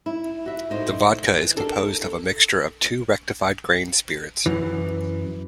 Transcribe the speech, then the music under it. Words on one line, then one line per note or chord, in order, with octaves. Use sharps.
The vodka is composed of a mixture of two rectified grain spirits.
E4
F#4 E5
A2 D#4 C5
E3
D4 A4 A#4
F#2 E3